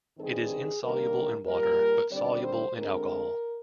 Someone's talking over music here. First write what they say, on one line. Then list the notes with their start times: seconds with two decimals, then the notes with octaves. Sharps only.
It is insoluble in water, but soluble in alcohol.
0.19 G2 D#3 G3 C4 G#4
0.83 D#2 D3 G3 A#3 A#4
1.47 A#2 G3 A#3 A#4
2.11 D#2 D3 G3 C4 D5
2.43 C5
2.76 D2 D3 G#3 C4 A#4